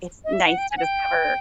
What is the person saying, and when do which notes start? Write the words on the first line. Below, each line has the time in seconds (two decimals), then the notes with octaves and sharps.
it's nice to discover
0.25 D#5
0.33 E5
0.46 F#5
0.58 G5
0.71 G#5
0.78 F#5
0.83 G5